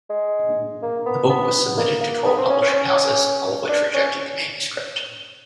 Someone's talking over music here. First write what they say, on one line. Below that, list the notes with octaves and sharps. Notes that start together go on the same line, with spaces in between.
The book was submitted to twelve publishing houses, all of which rejected the manuscript.
G#3
A#3
B3
B3
A#3
A#3
B3
C4
C#4
C#4
C#4
D4
C#4